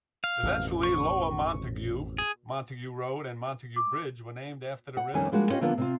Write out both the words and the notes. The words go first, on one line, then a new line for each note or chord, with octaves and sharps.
Eventually Lower Montague, Montague Road and Montague Bridge were named after the river.
F5
A1 F2 B2
C#6
G#4
D6
F#5
F2 D#3 G3 C#4 G#5
F3 G3 G#3 A#3 D4 F#4
B3 C#4 F4 G4 D#5
D3 F3 A#3 B3 D4 F4
C3 C4 F4